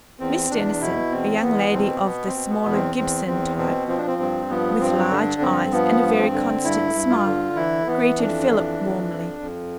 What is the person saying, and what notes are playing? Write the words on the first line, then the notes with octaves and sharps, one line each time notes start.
Miss Denison, a young lady of the smaller Gibson type, with large eyes and a very constant smile, greeted Philip warmly.
E2 C4
E2 D4
B2 E4
E2 C4
E2 B3
B2 C4
B2 B3
C4
B2
B3
E2
C4
E2 C4
E2 C4
B2 C4
F3 C4
D4
C4
G2 C4
F3 B3
G2 C4
D3 D4
G2 C4
F3 B3
G2
C4
D3
G2 E4
G2
F4
D3
E3 E4
E3 B3
F2 D4
E3
F2
F2
F2